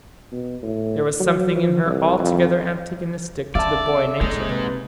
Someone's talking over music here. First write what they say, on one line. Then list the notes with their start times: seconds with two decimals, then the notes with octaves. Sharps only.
There was something in her altogether antagonistic to the boy-nature.
0.32 B2
0.62 A2
1.20 F#3
1.56 F3
1.86 C2
2.19 F2
3.55 C4 D5 E5 F5 A5
4.21 G#3 A#3 C4 D#4 A4
4.49 C3 B4